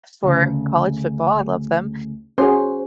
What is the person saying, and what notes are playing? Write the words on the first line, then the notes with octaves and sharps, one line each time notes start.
for college football; I love them.
D2 C#3
C#4 F#4 G#4 C5